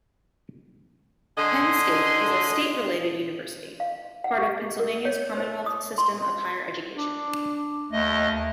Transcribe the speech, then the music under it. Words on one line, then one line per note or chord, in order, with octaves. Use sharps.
Penn State is a "state-related" university, part of Pennsylvania's Commonwealth System of Higher Education.
D3 D#5 G#5 C6
F5
F#5
G4
A#4
C#5
C5
D#6
C6
D4
D#2 A3 D#5